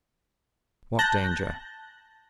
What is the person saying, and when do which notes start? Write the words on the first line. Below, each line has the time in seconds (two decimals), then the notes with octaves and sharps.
"What danger?"
0.99 A5 F#6 G6 A#6